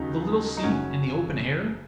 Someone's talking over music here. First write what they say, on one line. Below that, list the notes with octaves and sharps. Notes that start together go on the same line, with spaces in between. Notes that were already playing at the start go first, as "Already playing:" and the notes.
The little seat in the open air?
Already playing: D#2 C#3 F#3 D#4
D#4
F#1 F#2 C#3 C#4 F#4